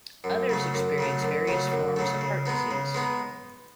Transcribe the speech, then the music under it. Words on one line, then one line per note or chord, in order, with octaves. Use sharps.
Others experience various forms of heart disease.
F#2
C#3 F#3 A3
F#2
C#3 F#3 A3
F#2
C#3 F#3 A3
F#2
C#3 F#3 A3
C#3
G#3 B3 D#4
C#3
G#3 B3 D#4